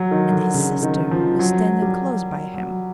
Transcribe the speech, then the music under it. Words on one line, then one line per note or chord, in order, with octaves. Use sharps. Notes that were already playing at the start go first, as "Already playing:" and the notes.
And his sister was standing close by him.
Already playing: F#3
D#3
D3
C#3
D#3
F3
F#3
G3
F#3